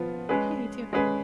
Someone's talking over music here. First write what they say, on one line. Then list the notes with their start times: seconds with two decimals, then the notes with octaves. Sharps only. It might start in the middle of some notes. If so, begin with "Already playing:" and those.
Yeah, you too.
Already playing: F3 B3 F4
0.29 G#3 C#4 G#4 B4
0.93 G#3 C#4 G#4 B4